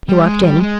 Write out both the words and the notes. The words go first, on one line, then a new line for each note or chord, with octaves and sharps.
He walked in.
G3
G#3
G3
G#3